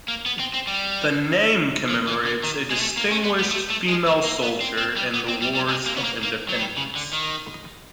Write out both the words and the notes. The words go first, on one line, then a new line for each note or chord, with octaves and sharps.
The name commemorates a distinguished female soldier in the wars of independence.
A#3
B3
C4
C4
G3
F3
E3
D3
D#3
G#3
A3
A#3
C#4
B3
B3
A3
A3
G#3
A3
A#3
B3
C4
C4
G3
B3
C4
G3
G3
G#3
A#3
B3
A#3
A#3
F#3
G3
C#3
D3
D#3